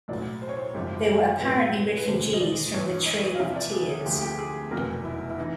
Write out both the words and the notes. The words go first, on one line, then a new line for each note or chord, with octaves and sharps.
They were apparently refugees from the Trail of Tears.
B1 A2 F#3 D5
C5
C#5
C5
G#1 F#2 C#3 F3 G4
B1 A2 F#3 B4
B4
E1 D2 D3 C5
D#5
D5
G1 G2 E3 C#5
D#5
F5
E2 C3 F3 E5
D5
G#4
G#4
D2 D3 F3 G4
G#4
G4
G#4
F1 E2 B2 F#3 A#4
E4
E4
E3 D#4